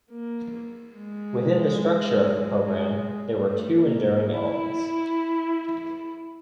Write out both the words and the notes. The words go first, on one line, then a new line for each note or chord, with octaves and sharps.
Within the structure of the program, there were two enduring elements.
A#3
G#3
G#3
A3
A#3
A#3
E4